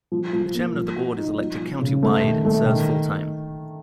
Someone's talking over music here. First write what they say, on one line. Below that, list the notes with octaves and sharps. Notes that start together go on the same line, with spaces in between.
The chairman of the board is elected county-wide and serves full-time.
F3
F3
A#3
F3
F#4
D#4
F3
F3
C#3
A3
D#3
A3
D#3